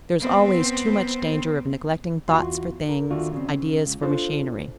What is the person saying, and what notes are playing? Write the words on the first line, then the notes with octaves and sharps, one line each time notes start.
There is always too much danger of neglecting thoughts for things, ideas for machinery.
B3 C4
E2 F4 F#4 C6
A#4
D#2 A3 D4 F4 F#4
C#3 C4
C#2
D4 F4 A4 C5